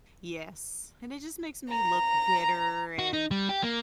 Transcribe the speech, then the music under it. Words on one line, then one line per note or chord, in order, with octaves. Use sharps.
Yes, and it just makes me look bitter and,
A#5
F#4
D#4
G3
G4
A#3